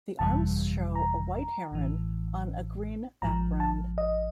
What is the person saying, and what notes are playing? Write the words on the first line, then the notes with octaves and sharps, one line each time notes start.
The arms show a white heron on a green background.
G1 F2 C3 E3 G3 A5
A#5
A1 A2 E3
A1 G#2 F3 A#5
A5
D#5